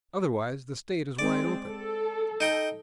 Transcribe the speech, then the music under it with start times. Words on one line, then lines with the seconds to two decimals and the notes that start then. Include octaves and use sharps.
Otherwise, the state is wide open!
1.19 G#3 C4 D5
1.68 A4
2.40 D#4 G5 A#5